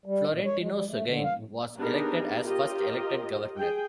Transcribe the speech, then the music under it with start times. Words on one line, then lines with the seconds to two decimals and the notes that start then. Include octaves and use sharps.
Florentino Saguin was elected as first elected governor.
0.06 G3
0.30 A#2
0.44 C#5
0.59 G#3
0.72 G3
0.89 A3
1.05 D3
1.24 F5
1.36 A2
1.78 B3 D4 D#4 G4 G#4 A#4
2.44 F4 G4 A#4 D#5
3.56 G#4 G5